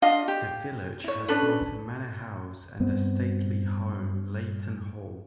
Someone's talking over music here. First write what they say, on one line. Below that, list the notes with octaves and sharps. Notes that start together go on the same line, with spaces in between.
The village has both a manor house and a stately home Leighton Hall.
D4 F4 D#5 F5
G4
E4 C#5
C#4 D4 A4 B4
G2 B3 C4